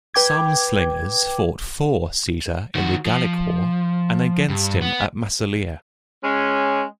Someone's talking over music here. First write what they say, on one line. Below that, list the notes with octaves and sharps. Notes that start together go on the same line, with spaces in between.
Some slingers fought for Caesar in the Gallic War, and against him at Massalia.
B4 G5 D6 G#6
D#3 F#4
F3
G2
B3
G#3 C#4